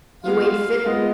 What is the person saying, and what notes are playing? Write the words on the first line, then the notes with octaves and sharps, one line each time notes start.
"You ain't fit."
G#3 B3 F4 F5
G#3 B3 F4 D#5